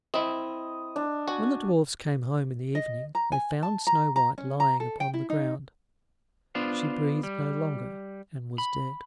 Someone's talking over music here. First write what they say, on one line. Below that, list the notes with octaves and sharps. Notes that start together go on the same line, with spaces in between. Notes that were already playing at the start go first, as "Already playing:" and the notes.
When the dwarfs came home in the evening, they found Snow-white lying upon the ground; she breathed no longer, and was dead.
C4 E4 D#5
D4
F#4 G#5
D#5
A#5
G#5
A5
A#5
A#5
C#4
A#5
A4
G5
E4
D#4
B3 D4 F4 C5
G3
B5